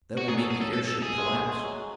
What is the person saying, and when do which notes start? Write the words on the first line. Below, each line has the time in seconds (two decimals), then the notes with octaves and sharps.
That will make the airship collapse.
0.17 F#4
0.28 F#3 G#4
0.39 A4
0.50 G#4
0.61 A4
0.73 A4
0.88 A4
1.03 G#4
1.18 G#3
1.33 A3
1.48 G#3
1.63 F#3